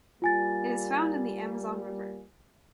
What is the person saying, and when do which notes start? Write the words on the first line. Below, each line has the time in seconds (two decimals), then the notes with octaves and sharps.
It is found in the Amazon River.
0.22 G3 A#3 F4 G#5 A6